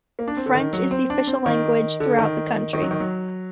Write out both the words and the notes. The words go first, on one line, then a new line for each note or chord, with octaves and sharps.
French is the official language throughout the country.
A#3
D4
C4
D3
D#3
F#3
C4
D4
C4
D#3
D3
D#3
D#3
F#3
D#3
F#3